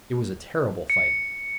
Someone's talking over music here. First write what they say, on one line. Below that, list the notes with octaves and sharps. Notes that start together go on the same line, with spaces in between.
It was a terrible fight.
C#7